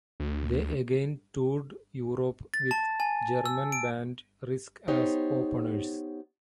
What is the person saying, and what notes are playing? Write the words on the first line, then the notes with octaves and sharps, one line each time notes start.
They again toured Europe with German band Risk as openers.
D2
A6
A5
G#5
E6
D7
B3 D#4 G4 C5 C#5